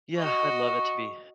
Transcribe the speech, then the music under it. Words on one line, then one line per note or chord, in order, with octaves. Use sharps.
Yeah, I'd love it to be
F#4 D#5 C#6